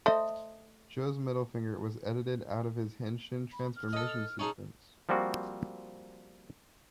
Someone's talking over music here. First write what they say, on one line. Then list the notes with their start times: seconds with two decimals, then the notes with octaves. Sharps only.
Joe's middle finger was edited out in his henshin transformation sequence.
0.06 A3 C5 D#5
3.52 B5
3.76 F6
3.93 A4 D#5
4.39 C#4 D#4 G#4 A5
5.09 F3 G3 A#3 C4 F#4